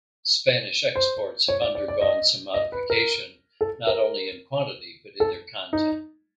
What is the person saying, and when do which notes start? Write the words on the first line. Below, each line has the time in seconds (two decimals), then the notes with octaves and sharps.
Spanish exports have undergone some modification not only in quantity but in their content.
0.96 C5
1.48 C#5
1.62 D5
1.75 D5
1.88 D5
2.01 D#5
2.54 D#5
2.72 B4
2.90 A#4
3.61 A4
3.87 A#4
5.20 A4
5.73 D#4